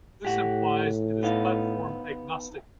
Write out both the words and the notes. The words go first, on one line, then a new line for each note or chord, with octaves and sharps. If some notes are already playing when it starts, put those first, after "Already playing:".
This implies it is platform agnostic.
A2 G4 F#5
B3 D#4 F5